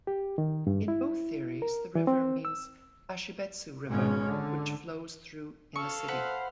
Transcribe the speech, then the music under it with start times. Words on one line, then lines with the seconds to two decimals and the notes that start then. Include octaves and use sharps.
In both theories the river means Ashibetsu River, which flows through in the city.
0.07 G4
0.38 D#3
0.67 G2
0.88 E4
1.62 A#4
1.95 E3
2.07 C4
2.45 E6
3.89 G#1 B2 G#3 C#4
4.28 D3
5.76 A4 F5 C#6
6.08 B4 C5 F#5